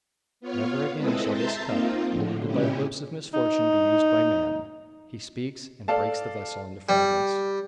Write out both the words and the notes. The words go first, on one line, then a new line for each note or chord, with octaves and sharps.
"Never again shall this cup, polluted by the lips of misfortune, be used by man." He speaks, and breaks the vessel into fragments.
B3 F4 C#5 F5
G#3 C4 E4 A4 B4 D#5
E5 A5 A#5 C6 G6 A6
A#3 C4 D#4 F4
A2 D3 F3
A#2 C#3 G#3 C#4 E4 G4
D#4
A4 D5 F5 A5
G3